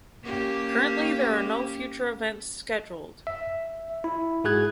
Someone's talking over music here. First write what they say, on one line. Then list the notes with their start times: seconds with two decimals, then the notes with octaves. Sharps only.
Currently there are no future events scheduled.
0.23 A#3 C#4 G4
3.27 E5
4.04 E4
4.44 G#2 F#4 G#4 F#6 G#6